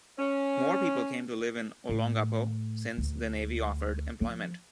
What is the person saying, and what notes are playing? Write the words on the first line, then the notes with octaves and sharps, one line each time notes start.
More people came to live in Olongapo since the Navy offered employment.
C#4
A2
D2
F3